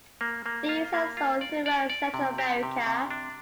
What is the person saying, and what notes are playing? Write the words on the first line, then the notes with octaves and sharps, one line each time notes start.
These are sold throughout Central America.
A#3
A#3
F4
A#3
F4
D5
D5
D5
C3
G4
C3
C3
D4